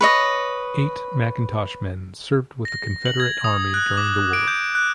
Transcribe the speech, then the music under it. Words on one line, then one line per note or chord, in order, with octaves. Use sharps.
Eight McIntosh men served with the Confederate Army during the war.
B4 C#5 D#5
A#6
F#7
G#6
D#6
F#6
D6
D7
G6
F#6